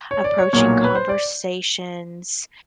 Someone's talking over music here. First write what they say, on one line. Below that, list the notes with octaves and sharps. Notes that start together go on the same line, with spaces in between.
approaching conversations,
C#5
D5
C#5
B1 A#2 F#3 A#3 C#5
B4
C5
D5